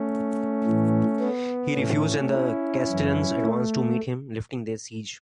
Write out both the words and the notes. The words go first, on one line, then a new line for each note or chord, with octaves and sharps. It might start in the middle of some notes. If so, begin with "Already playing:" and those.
He refused, and the Castilians advanced to meet him, lifting the siege.
Already playing: A3 C#4
A2 E3
B3
A2 E3 A3 C#4
C#4 E4
F#2 E3
A3